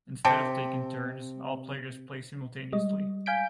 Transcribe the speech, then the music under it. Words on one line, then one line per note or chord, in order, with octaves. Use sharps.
Instead of taking turns, all players play simultaneously.
C3 G5 A5
G3 G#3 D#5
F5 G#5 G6 B6 D7